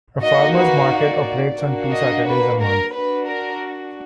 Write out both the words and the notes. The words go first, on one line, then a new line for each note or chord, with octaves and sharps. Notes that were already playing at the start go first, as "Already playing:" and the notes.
A farmers' market operates on two Saturdays a month.
A#3 D#4 F#4 D#5
B4
D5
A#3 D4 F#4
D#5
B4
A#4
D4 F#4 B4
A#4